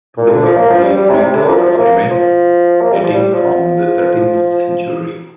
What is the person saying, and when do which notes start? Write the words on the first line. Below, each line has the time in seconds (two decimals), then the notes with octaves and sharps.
Today only three towers remain, dating from the thirteenth century.
0.17 A#2
0.31 D3
0.44 F3
0.56 A#3
0.70 F3
0.83 G3
0.96 G3
1.10 C3
1.22 C3
1.35 D3
1.49 F3
1.63 F3
1.76 A#3
2.11 F3
2.81 A#3
2.92 G3
3.03 F3
3.14 G3
3.33 F3